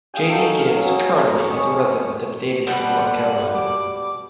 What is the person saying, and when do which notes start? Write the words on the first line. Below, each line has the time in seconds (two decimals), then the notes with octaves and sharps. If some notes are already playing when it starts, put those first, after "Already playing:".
J. D. Gibbs currently is a resident of Davidson, North Carolina.
0.14 G#4 F5 G5 G#5
0.29 D#4 F#4 G#4 A4
0.58 A#4 F5
0.75 F#3 C#4
1.30 G#4 C#5 B5
1.50 C#4 D#5 A5 C#6
2.67 B2 G3 F#5
3.53 D6